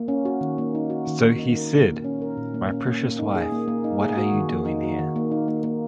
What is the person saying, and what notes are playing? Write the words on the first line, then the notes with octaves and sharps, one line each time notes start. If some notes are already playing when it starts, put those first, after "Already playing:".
So he said, "My precious wife, what are you doing here?"
Already playing: A#3
C#4
F#4
D#3
A#3
D#4
F#4
D#3
A#3
D#4
A#4
A#2
A#3
C#4
A#4
A#2
A#3
C#4
A#3
A#3
D#4
G#4
A#3
A#3
D#4
G#4
F#4
D#3
A#3
D#4
F#4
D#3
A#3
D#4
A#3
A#3